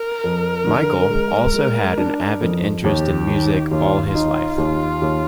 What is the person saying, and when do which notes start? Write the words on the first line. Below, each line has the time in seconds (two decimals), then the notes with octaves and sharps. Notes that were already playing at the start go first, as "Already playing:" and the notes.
Mykle also had an avid interest in music all his life.
Already playing: A#4
0.24 F2
0.67 D3
1.11 G#3
1.54 G#3
1.98 D4
2.41 F2
2.84 D#2 G4
3.28 D#3
3.71 D#2 F4
4.14 D#4 F4
4.58 D#2
5.02 D#2